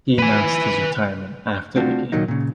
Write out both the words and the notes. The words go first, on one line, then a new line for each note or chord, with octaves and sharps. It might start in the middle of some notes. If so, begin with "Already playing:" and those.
He announced his retirement after the game.
B4 G#5
A3 C4 D4 F4 F#4
A#2 D#3 F#3 A#3 D#4
A#2 C#3